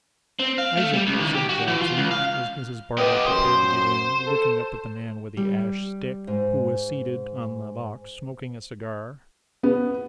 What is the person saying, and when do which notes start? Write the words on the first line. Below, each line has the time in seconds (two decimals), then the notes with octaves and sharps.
'Isaac,' said Jackson, as Mrs. Bardell prepared to get in, looking up at the man with the ash stick, who was seated on the box, smoking a cigar.
0.39 C4
0.58 F5
0.77 A3
0.93 G3
1.07 C#2
1.20 D#3
1.35 G4
1.49 F#4
1.68 E3
1.81 F4
1.97 C#2
2.11 F5
2.98 B3 G4 D#5
3.27 F#2 C5
4.27 A4
5.37 G3
6.27 G#2
9.63 B3